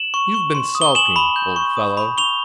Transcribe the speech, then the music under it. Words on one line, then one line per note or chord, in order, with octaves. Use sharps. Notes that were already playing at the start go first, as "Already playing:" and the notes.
You've been sulking, old fellow.
Already playing: E7 F#7
C#6
C#6
C6
D#6
G7
G#5 E7 F#7
B5
G6
C#6
D#6
B5
C#6 F7 G7